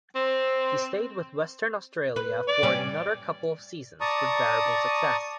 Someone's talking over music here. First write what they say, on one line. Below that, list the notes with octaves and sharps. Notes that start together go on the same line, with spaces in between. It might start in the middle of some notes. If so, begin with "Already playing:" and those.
He stayed with Western Australia for another couple of seasons, with variable success.
C4
B4
D5
G3 C#4
D5 A5 A#5 C#6 D#6